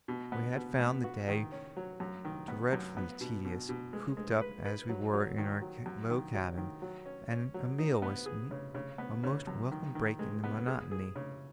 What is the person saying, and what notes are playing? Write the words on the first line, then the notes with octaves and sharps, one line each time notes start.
We had found the day dreadfully tedious, cooped up as we were in our low cabin, and a meal was a most welcome break in the monotony.
B2
B3
B2
B3
F#4
D#3
C#4
F#3
F#2
D#3
B3
F#2
B3
B2
B2
B2
G#3
G#3
B4
B4
F#3
F#3
D#3
F#3
F#2
D#3
F#3
D#3
F#3
C#4
C#4
F#3
D#4
B3
G#4
C#3
C#3
B3
C#3
F#2
D#3
D#3
G#3
B3
G#4
G#4
C#3